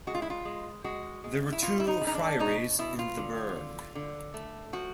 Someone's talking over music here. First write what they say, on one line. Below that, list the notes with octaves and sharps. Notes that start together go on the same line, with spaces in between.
There were two friaries in the burgh.
G#3 F#4
F4
E4
F4
G#3
G#3 F#4
G#3
E4
B2 F4
E4
D#4
G#3
D#4
D4
B2 D#4
B2 E4
F4
D3
D3
D3
A3
F3 F#4